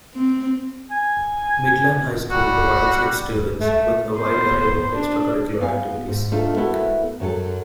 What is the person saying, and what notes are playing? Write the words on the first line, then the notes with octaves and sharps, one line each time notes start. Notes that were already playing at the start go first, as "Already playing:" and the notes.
Midland High School provides its students with a wide array of extracurricular activities.
C4
G#5
G3 F#4
A3
B3 C5
D4
B3 F5 G#5
G#2
A3 D4 D#4 F4 A4
A3 B3 E4 F#4 A4 A#4
F#2 F#3 F#4 A4